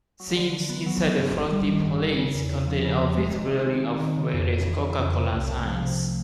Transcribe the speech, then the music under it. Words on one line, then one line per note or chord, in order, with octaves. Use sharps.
Scenes inside the Frosty Palace contain obvious blurring of various Coca-Cola signs.
F#3
D3
D3
B3
F#3
D3
G2
G1
G3
D#3
G2
G1
C#3
E2
E2
F3
C#3
E2
G#3
D#3
D#4
C4
G#3
D#3
C#3
F2
F2
E3
C#3
F2
C3
C2
A3
F3
C3